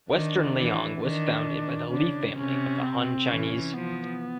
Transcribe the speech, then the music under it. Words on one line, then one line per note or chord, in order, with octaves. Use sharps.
Western Liang was founded by the Li family of the Han Chinese.
D#3 D4
E3
D#3 D4
C#3 D4
C3 C#4
C4
E3 C#4
F3 B3